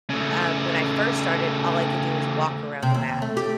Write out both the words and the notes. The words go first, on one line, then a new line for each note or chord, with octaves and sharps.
um, when I first started, all I could do was walk around the mat,
C#3 A3
C3
D#2
A3
G4